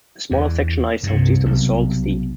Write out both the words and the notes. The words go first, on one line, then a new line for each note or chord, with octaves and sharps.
A smaller section lies southeast of Sault Ste.
E2
C2 G2 A#2
B1